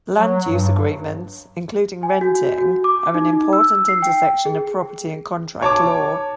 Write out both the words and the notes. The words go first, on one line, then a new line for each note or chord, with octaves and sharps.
Land use agreements, including renting, are an important intersection of property and contract law.
F#3
G2
G#5
F#4
F#4
D6
D#4
E6
C7
G5
G#4
C#5 A5 D6